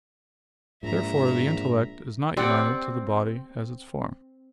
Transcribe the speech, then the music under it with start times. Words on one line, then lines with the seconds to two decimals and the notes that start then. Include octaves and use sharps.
Therefore the intellect is not united to the body as its form.
0.83 A#1 G#2 E5 A#5
2.37 C4 G4 D5 F#5